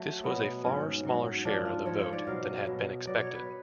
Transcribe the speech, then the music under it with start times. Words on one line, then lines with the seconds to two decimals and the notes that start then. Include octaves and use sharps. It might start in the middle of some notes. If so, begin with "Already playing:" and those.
This was a far smaller share of the vote than had been expected.
Already playing: F#3 A3
0.24 B2 F#3 B3
0.64 G#2 F#3 C#4
1.05 G#2 F#3
1.45 G#2 F3 D4
1.65 F4
1.86 G#2 F3 C#5
1.99 C#5
2.13 D5
2.27 B2 F#3 F5
2.66 B2 F#3
3.07 B2 F#3 D5
3.20 C#5
3.34 B4